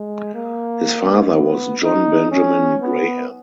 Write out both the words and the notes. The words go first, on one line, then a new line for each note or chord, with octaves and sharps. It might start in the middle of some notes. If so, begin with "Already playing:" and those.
His father was John Benjamin Graham.
Already playing: G#3
A#3
B3
D#4
C#4
B3